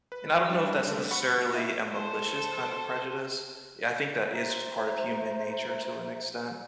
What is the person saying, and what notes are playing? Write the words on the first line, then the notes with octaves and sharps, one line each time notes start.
and I don't know if that's necessarily a malicious kind of prejudice. Yeah, I think that is just part of human nature to an extent.
B4
G3 D4
D3 A3
F#5 B5 C#6 C#7
A#3 E4 D#5 E5
A4 C5
C5 E5 A#5